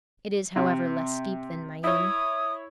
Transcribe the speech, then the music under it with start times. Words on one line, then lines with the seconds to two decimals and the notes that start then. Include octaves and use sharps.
It is, however, less steep than Mayon.
0.56 C3
1.84 E4 C#5 D#6